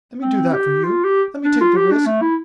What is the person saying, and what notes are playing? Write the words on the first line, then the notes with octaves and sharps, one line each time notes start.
Let me do that for you--let me take the risk.
C4
G4
F4
G4
D4
F4
G4
D4
A3
E4